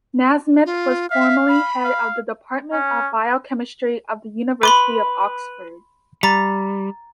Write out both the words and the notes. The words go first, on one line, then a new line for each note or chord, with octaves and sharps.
Nasmyth was formerly head of the Department of Biochemistry of the University of Oxford.
F4
E5 F5
B5
F5
C#4
B4 B5 C6 D6
G3 A#5 D6 A6